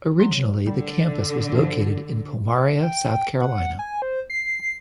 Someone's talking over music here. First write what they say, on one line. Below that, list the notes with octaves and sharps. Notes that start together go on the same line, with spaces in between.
Originally, the campus was located in Pomaria, South Carolina.
F#3 C6
D3 G3
G2 C3 F3
G5
F#5
G#5
C5
C7